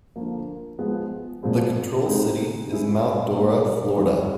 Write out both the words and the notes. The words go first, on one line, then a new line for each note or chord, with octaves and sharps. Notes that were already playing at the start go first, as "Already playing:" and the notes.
The control city is Mount Dora, Florida.
D3 F3 A#3
F3 G#3 B3
A#2 F3 G#3 C4
G#3 C4 D#4
G#3 C4 E4 G#4
G3 A#3 D#4
E3 G3 C4 D#4 G4